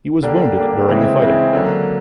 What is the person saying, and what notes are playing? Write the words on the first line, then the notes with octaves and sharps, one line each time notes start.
He was wounded during the fighting.
D3 G3 A#3 D4
D3 G3 A#3 D4
C#3 E3 G#3 C4 E4
C#3 E3 G#3 C4 E4
D3 F#3 A#3